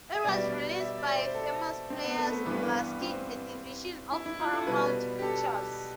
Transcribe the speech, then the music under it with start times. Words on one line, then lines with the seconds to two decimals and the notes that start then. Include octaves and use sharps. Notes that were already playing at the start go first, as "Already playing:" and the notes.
It was released by Famous Players-Lasky, a division of Paramount Pictures.
0.15 E5
0.24 B2 G3 D5
0.80 E5
0.98 D5
1.16 C5
1.34 A4
1.90 C4
2.04 B3
2.18 A3
2.32 A3
2.45 G2 E3 G3 B3
3.01 C4
4.12 E4
4.26 E4
4.39 F4
4.53 A4
4.67 B2 G3 B4
5.19 G4
5.22 A4